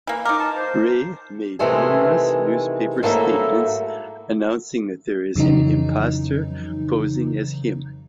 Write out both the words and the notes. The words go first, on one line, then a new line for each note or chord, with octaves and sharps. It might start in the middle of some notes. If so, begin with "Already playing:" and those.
Rey made numerous newspaper statements announcing that there is an imposter posing as him.
E3 A#3
D#4 F4 A#4 D6
A5
C5
C3 D#3 E3 G#3 A3 G#4
G#2 F#3 A3 A#3 E4 E5
F2 C#3 E3 F#3 D#4